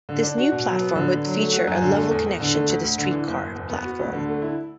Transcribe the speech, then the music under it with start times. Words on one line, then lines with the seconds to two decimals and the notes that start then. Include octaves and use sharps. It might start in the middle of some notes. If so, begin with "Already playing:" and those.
This new platform would feature a level connection to the streetcar platform.
0.09 D3
0.23 D4
0.38 F#4
0.52 B2
0.67 F#3
0.81 B3
0.96 D3
1.09 D3
1.25 F#3
1.39 A3
1.53 F#4
1.67 F#2
1.82 D3
1.96 A3
2.11 E2
2.26 E2
2.40 D3
2.54 A3
2.68 D2
2.84 D2
2.98 D3
3.12 E3
3.27 F#1
3.41 F#1
3.55 E2
3.70 B3
3.84 F#4
3.99 D2
4.13 D3
4.28 A3
4.42 E4